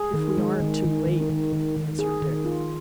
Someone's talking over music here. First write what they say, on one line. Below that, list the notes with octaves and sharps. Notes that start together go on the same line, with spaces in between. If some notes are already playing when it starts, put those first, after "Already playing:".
"If we aren't too late," answered Dick.
Already playing: G#4
D#3
G#3
D#3
D#3
D#3
D#3
D#3
D#3
G#4
D#3
F4